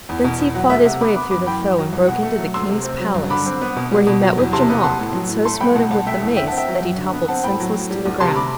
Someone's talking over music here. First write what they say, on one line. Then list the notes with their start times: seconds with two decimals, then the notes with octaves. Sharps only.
Thence he fought his way through the foe and broke into the King's palace, where he met with Jamak and so smote him with the mace, that he toppled senseless to the ground.
0.09 E2
0.24 B2
0.40 E2
0.54 F#3 F#5
0.70 D2 E5
0.85 C3 F#5
1.01 B3 B5 D6
1.15 B3 B5 D6
1.31 F#2 B5 D6
1.46 E3 G5 B5
1.62 F#2
1.78 F#3
1.93 C2
2.07 B2 F#5
2.23 A3
2.39 F#3
2.54 D2 C6 E6
2.69 C3
2.84 C4
3.00 F#3
3.15 G2
3.30 D3 B5 D6
3.46 C4
3.61 B3
3.76 B2
3.92 G3
4.07 B2
4.22 F#3
4.38 E2
4.53 C3 A5 C6
4.69 B3
4.83 B3 A5 C6
4.99 A2
5.15 F#3
5.29 A2
5.45 A3 A5 C6
5.60 C2 G5 B5
5.76 B2 F#5 A5
5.91 C2 F#5 A5
6.06 A3 E5 G5
6.22 E2
6.36 D3 E5 G5
6.48 F#5 A5
6.52 C4
6.57 E5 G5
6.68 F#3
6.82 F#2
6.98 D3
7.13 B3
7.28 C4 F#5 A5
7.44 A2 G5 B5
7.60 F#3
7.74 A2
7.91 G3
8.05 D2
8.20 C3 A5 C6
8.36 B5 D6